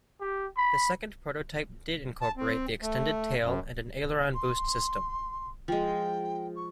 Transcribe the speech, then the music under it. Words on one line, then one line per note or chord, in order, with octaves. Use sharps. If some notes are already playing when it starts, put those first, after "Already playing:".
The second prototype did incorporate the extended tail and an aileron boost system.
G4
B5
A5
C4
A3
F#2
C6
F3 G#3 G5
C#6